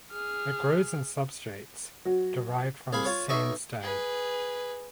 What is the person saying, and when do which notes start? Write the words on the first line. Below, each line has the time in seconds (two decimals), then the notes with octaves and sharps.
It grows in substrates derived from sandstone.
0.11 G#4 F6
2.05 F#3
2.93 C2 G#4 F5 B5
3.05 F4 C#5
3.29 B1 D#5 E5 C#6
3.81 G#4 B4